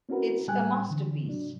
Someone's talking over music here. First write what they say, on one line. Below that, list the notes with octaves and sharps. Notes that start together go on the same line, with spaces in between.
It's a masterpiece.
C4 C#4 E4 F#4 A#4 B4
A2 G3 G5 G#5 F#6
D3 E3
G#2 C3 F#3 D4